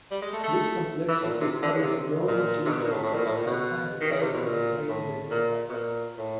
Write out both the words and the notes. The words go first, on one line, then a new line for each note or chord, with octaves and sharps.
This complexity added enormously to the cost and time required to maintain the missiles.
G3
G#3
A3
A3
E3
A2
A#2
C3
D3
C#3
C3
A#2
C3
B2
A#2
A2
A2
A#2
A2
A#2
B2
D#3
C#3
C3
B2
A#2
A2
A#2
B2
A#2
A2